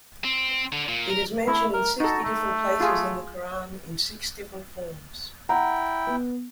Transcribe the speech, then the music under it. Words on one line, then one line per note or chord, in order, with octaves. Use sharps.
It is mentioned in sixty different places in the Qu'ran, in six different forms.
C4
D3
A#2
A#4
A3 E4
A#4
D#4 F#4 A4
A3
F4 G#4
E4 F#5 G5 A#5
B3